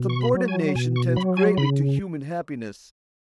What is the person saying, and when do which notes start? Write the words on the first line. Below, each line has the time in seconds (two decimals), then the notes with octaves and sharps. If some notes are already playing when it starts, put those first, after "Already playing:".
Subordination tends greatly to human happiness.
Already playing: B2
0.09 C#6
0.21 B5
0.34 F#3
0.48 G#5
0.75 B2 G#5
0.96 C#6
1.16 F#3 B5
1.37 G#5
1.57 C#3 B5